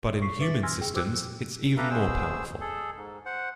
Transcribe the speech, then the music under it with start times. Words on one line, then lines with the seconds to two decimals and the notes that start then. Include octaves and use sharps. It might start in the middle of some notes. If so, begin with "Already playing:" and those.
But in human systems it's even more powerful.
0.22 C#6 B6 C7
0.40 B4 E5 D6 A6 B6 F#7
0.63 G#5 C6 E6 F6 G#6 A#6
0.80 G#4 G5
0.94 F#4 A4 C5 D6 E6 F#6
1.77 G4 A4 B4 E5 F5 A#5
1.90 B2 G#4 C5 E6
2.61 G#4 A4
2.97 G#2
3.26 C5 F#5